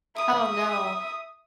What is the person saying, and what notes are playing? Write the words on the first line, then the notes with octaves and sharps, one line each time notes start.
Oh no.
E5 D#6